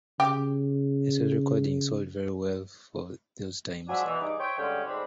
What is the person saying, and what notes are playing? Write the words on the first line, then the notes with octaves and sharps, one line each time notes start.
Ace's recordings sold very well for those times.
C#3 G4
F3 F#3 G#3 D4 E5 G#5
B2 E3
G2 D#4 G#4 D6
C5 C#5 E5 G5
G2 D3 G#3 C#4 C#5 G5
D2 G#2 C4 D4 B5